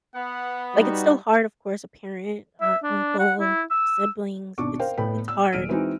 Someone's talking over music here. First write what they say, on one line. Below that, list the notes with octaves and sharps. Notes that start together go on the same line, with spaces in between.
like, it's still hard, of course, a parent, or an uncle, siblings, it's it's hard-
B3 F#5
G3 D#4 F#4
E5
D4
F#5
E4
E6
G#1 B2 D4 C#6 D6
A#4 C5 F5 G5
G1 A2 A3 B3 G5 B5
E6
D#1 F6 D7 D#7
E3 G#3 C4 D#4 E4 F#4